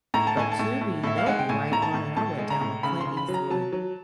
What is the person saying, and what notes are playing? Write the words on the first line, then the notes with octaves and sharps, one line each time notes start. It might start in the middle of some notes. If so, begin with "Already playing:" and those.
but Tubi, they'll be right on it. I went down a Clint Eastwood
A2 A#5
A5
A2 G#5
A5
A2
A2
A2 E5
F5
G#3 F#5
G5
A2 G#5
A2 A#5
A5
A2
A2 A5
G#3
A#5
A2
C#3 B5
C#3 C6
B5
F#3
A#5
F#3 A5
F#3